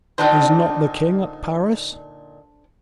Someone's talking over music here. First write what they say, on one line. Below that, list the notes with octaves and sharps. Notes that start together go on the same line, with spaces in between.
"Is not the king at Paris?"
A#2 D3 D4 D#4 A4 C5